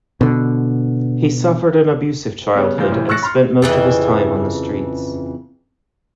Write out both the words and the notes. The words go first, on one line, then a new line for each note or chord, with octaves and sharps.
He suffered an abusive childhood and spent most of his time on the streets.
B2 D3
C#3 G3 B3 C#4
F#1 A2 F3 D5 F5 G6
B1 A2 C3 E3
C#6 E6 F#6 A6 A#6 C#7
B5 C6 F6
F2 C#3 E3